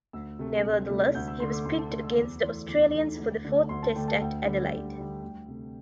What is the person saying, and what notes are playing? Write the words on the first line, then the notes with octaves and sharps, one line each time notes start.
Nevertheless, he was picked against the Australians for the fourth Test at Adelaide.
D2 E6
C3 A3
D2
C3 A3
D2 G6
E6
D3 A3 C6
D6
D2 C6
A5
D3 A3 C6
E6
E2 D6
E3 A3 C6
E2 D6
E3 A3
D2
D3 A3
D2 C6
A5
D3 A3 G5
A5
D2 G5
D3 G3
D2
D3 G3
D2 G5
C3 A3